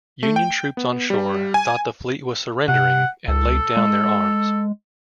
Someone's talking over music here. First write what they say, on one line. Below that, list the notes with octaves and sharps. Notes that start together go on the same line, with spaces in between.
Union troops on shore thought the fleet was surrendering, and laid down their arms.
A3
G5
B3
G3
G#5
C3 F#5
C#2 A4
G#3